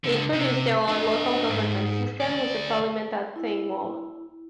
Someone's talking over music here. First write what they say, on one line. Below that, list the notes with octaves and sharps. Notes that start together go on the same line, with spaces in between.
They introduced their own local government system with a parliament at Thingwall.
C#2 D3
C3
D4 D#5
G#2
D2 D5
E4